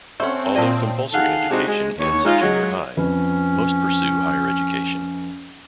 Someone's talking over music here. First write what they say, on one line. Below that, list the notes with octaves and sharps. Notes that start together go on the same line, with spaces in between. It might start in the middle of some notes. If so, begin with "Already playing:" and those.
Although compulsory education ends at junior high, most pursue higher education.
A3 C4 C#4 C5 F#5
A#2 D5 D#5 F5 A5
D#3 G#4 A4 F5 F#5
C3 G#3 D4 D#4 F#4 C5
G#3
D#2 C#5
G#3 D#4 F4
F#3 G#3
F2 C#4 B4